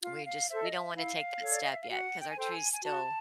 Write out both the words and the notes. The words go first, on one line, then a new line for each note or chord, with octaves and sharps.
We just we don't wanna take that step yet, 'cause our trees still
F4 F5
F5
A4 C5 E5
D#5
E5
E4 F5
A4 C#5
D5
D#5
E5
F5
F#4 F#5
G5
G#5
A4 C5 G5
G#5
G#5
F#4 A5